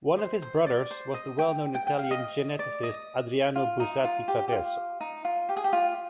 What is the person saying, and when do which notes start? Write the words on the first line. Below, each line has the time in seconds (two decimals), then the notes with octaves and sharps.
One of his brothers was the well-known Italian geneticist Adriano Buzzati-Traverso.
0.18 C5
0.42 C5
0.66 D5
0.91 C5
1.14 D#5
1.39 G5
1.75 G5
1.87 G5
1.99 F5
2.11 D#5
2.59 D5
2.83 D#5
3.56 F4
3.80 D#4
4.04 F4
4.28 G4
4.48 G4
4.52 F4
5.00 D#4
5.25 F4
5.49 G4
5.56 G#4
5.64 G4
5.73 F4